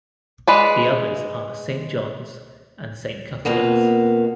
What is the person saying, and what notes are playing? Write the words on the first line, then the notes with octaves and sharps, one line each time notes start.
The others are Saint John's and Saint Cuthbert's.
G#3 B4 D5
F2 B2 A#3 B3